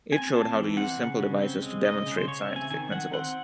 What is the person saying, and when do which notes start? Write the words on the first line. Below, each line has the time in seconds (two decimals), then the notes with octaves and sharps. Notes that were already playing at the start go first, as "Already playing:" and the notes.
It showed how to use simple devices to demonstrate scientific principles.
0.12 C4 G#5
0.33 C4 A5
0.55 E3
0.77 C4 F#5
0.98 C#3
1.20 C#3
1.42 C4
1.62 G#3
1.84 C#3 D#5
2.06 C#3
2.17 C5
2.27 C#3 C#5
2.42 E5
2.49 C4
2.56 G#5
2.70 D#3 G#5
2.91 D#3 F#5
3.13 C4 F#5